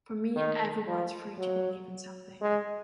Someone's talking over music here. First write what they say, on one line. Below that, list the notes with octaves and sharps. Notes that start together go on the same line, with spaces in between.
For me everyone's free to believe in something.
D#3
F3
F#3
G#3